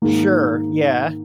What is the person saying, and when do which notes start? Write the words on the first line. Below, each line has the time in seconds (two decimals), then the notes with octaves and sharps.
Sure, yeah.
0.02 G#2 D#3 A#3